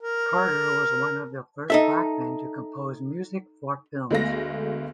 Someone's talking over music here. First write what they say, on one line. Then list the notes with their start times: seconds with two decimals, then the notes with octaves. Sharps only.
Carter was one of the first black men to compose music for films.
0.01 A#4
1.70 D#4 A4 E5
4.11 D2 G#3 A3 B3 F5 A#6